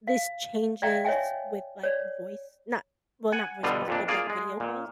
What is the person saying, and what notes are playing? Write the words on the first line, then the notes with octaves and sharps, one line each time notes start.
this changes with, like, voice not well, not voice calls, but, like, video calls?
F5
D5 E5 F5 G5 A#5
C#5 D#5 E5 G5 G#5
C#5 D5
F#5 G#5
B2 D3 G3 F4
F2 A#2 D4
A#3 F4 G#4 D5 F5
G#3
A#2